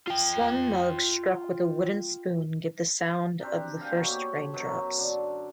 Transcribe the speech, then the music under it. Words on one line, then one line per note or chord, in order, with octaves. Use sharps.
Slung mugs struck with a wooden spoon give the sound of the first raindrops.
F4 G5
C4 D4 G4 A#4
C5 F5 G5 G#5
B2 A#3 F#4
G4 A4 C5 C#5
F#2 B2 F#3
D3 D5 C6